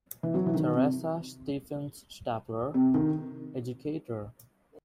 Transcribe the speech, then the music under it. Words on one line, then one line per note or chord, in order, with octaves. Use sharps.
Theresa Stephens Stapler, educator.
E3
F#3
E3
D#3
C3
C3
D#3